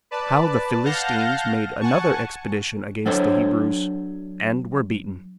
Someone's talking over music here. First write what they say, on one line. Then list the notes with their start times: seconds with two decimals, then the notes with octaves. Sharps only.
How The Philistines Made Another Expedition Against The Hebrews And Were Beaten.
0.11 B4 D5 A5
0.85 F5 F#5 A5 F6 G6 A#6
1.81 F#5 G#5 A5 C#6
3.06 F#3 D4 A4 C5 C#5